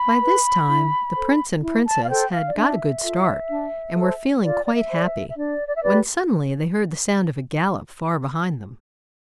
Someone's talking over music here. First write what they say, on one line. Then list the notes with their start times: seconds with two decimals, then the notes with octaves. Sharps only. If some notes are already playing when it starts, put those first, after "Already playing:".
By this time the prince and princess had got a good start, and were feeling quite happy, when suddenly they heard the sound of a gallop far behind them.
Already playing: B5
0.22 B4
0.68 E4
1.15 A4 C5
1.62 E4
1.85 A5
2.03 F5
2.08 A4 C5 G5
2.32 F5
2.46 D5
2.55 D4 E5
3.03 F4 A4
3.49 D4
3.96 A4 C5
4.42 F4 D5
4.64 D5
4.74 E5
4.89 A4 C5 D5
5.04 E5
5.28 E5
5.36 D4 D5
5.67 D5
5.75 E5
5.82 G4 B4 D5